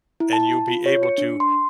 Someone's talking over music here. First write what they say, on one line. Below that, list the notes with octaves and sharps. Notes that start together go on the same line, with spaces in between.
and you'll be able to
E4
A5
F4
C#5
C#7
D4
C6